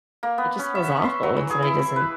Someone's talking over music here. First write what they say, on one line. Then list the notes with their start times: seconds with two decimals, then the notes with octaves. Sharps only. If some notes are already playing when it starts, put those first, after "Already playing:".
it just feels awful when somebody doesn't
0.23 A#3
0.38 B3
0.59 C#4
0.75 E5
0.89 C#6
1.04 C6
1.23 F#3
1.37 E3
1.50 G#4
1.62 E4
1.79 E5
1.96 B4